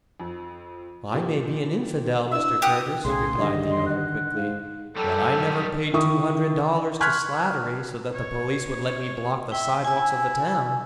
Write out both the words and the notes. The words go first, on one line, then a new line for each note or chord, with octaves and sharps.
"I may be an infidel, Mr. Curtis," replied the other, quickly; "but I never paid two hundred dollars to Slattery so that the police would let me block the sidewalks of the town."
F2
A#2 G4
D4 E4 E5 E6
G4 F#5 D#6
B1 A2 C#3 G#4 C6
G2 D3 D#3 D#5
C6
F#5
G#2 F5
F#3 G3 A4
D#3 E4 E5 C#6 D#6
C6 C#6 F6 F#6 G#6 B6
C#5
E5 G5
E4 G#5 E6